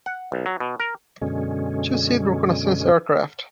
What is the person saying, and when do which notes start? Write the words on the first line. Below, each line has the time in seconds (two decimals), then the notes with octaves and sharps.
Two-seat reconnaissance aircraft.
0.06 F#5
0.32 B1
0.46 F#3
0.60 B2
0.80 A#4
1.21 F#2 B2 D3 G#3 C#4